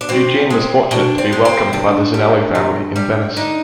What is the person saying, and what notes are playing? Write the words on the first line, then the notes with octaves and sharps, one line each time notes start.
Eugene was fortunate to be welcomed by the Zinelli family in Venice.
D4
B2 C4
G#3
B2 D4
C4
G#3
C4
C3 D4
G3
C3
G3
D3 D#4